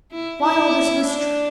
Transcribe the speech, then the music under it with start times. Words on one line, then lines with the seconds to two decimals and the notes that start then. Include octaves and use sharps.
Why all this mystery?
0.11 E4
0.43 E4
1.05 D4